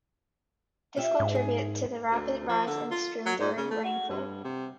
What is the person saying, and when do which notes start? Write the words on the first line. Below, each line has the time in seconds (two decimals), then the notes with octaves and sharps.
This contributes to the rapid rise in the stream during rainfall.
0.97 F4 G4 E5
1.20 G#2
1.35 G#4
2.11 D2
2.49 F3
2.67 D3
2.91 F4
3.26 F#3
3.40 G#2
3.57 C#3
3.71 A3
3.85 F#4
4.10 G2
4.44 C3